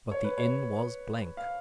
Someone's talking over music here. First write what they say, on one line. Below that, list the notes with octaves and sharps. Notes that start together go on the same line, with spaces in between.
But the inn was blank.
C#5
B4
C#5
F5